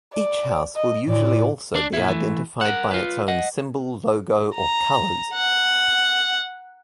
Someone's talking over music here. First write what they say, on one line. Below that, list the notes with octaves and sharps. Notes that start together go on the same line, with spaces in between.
Each house will usually also be identified by its own symbol, logo, or colours.
D5
D#5
A2 D5
D4 D5
A#2 E4
E3 A3
A#4 F#5
F4 B4
D#5 F#5
A#5
F#5